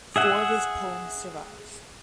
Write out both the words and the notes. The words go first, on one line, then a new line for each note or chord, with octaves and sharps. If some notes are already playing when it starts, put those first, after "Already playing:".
Four of his poems survive.
G#4 E5 F#5